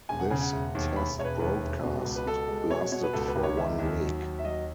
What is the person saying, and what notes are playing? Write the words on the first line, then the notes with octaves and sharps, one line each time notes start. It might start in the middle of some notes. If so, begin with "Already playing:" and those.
This test broadcast lasted for one week.
E1 G#5
F#5
C#3 G#5
F#5
E1
D#2
E1 B5
E1 C#5
B4
D#2 B4
E1
B2
C#2
B4
B2 A4
G#3
B2 C#5
C#5
B2 C#5
B4
C#2 A4
B4
C#2
C#5
D#3 E5
D#2
F#3
D#2
E5
F#3 D#5